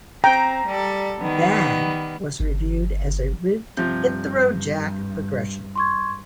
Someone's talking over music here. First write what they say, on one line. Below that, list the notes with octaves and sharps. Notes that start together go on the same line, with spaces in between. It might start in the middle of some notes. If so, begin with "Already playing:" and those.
"Bad" was viewed as a rived "Hit the Road Jack" progression.
C4 G5 A#5
G3 A4 D5
D#3 G3 B3
G1
G2 C3 F3 G6
C6 C#6 G#6